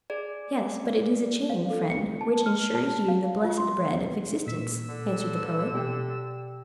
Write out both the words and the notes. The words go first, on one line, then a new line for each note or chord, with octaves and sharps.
"Yes; but it is a chain, friend, which ensures you the blessed bread of existence," answered the poet.
G#4 D5
F5
A4
C#7
A5
F6
A5
F5
F4
C6
A#2 E6 B6
D3
B2 G4 G5